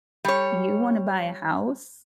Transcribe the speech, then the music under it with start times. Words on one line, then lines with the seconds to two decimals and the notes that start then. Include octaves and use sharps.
you wanna buy a house,
0.25 G3 C#5